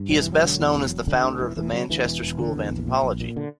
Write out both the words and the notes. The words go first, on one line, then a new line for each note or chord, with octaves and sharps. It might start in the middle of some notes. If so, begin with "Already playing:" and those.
He is best known as the founder of the Manchester School of anthropology.
Already playing: G2
E1 F#3
E1 E3
F#3
D3
E2
E1
E1
D3
D2
E1 E3
E1 E3
C#3 F#3
D2 E3
E1
E1
D3
E2
A#1
A#2
A#1
A#2
D3